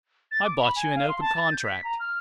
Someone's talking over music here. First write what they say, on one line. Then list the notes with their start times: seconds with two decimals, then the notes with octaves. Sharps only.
I bought you in open contract.'
0.31 A6
0.44 D6
0.59 B5
0.76 G#5
0.96 F5
1.09 C6
1.20 A5
1.35 A6
1.52 G6
1.64 B6
1.84 A#5
2.00 F6